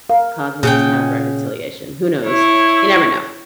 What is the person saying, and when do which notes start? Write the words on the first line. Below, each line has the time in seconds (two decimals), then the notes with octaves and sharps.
causing us to have reconciliation, who knows? You never know.
0.10 A#4 F5
0.63 A#2 C#3 G#4 F#5 G5
2.25 E4 C#5